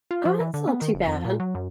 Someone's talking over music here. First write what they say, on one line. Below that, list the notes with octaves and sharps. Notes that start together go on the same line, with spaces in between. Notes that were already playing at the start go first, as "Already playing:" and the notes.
Oh, that's not too bad.
F4
F3
E3
D3
B3
D#3
F#1
F2
A#2
F#3
F#2